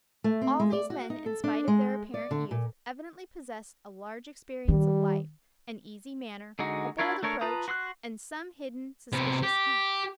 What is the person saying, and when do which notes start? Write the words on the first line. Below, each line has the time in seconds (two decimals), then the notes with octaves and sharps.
All these men, in spite of their apparent youth, evidently possessed a large experience of life, an easy manner, a bold approach, and some hidden, suspicious cunning.
0.24 A3
0.42 C4
0.60 G#3
0.72 D5
0.90 F#4
1.10 D#4
1.26 A4
1.44 D4
1.68 G#3
2.14 D5
2.31 D3
2.51 A#2
4.68 D#3 G3
6.59 D3 G#3 D#4 F#4
6.99 D4 E4 F4 A#4 C#5
7.23 A3 D4 A#4 C#5
7.41 F4 B4 A5 A#5 D#6
7.68 F#4 C6 D#6 F#6
9.12 C3 B3
9.43 G4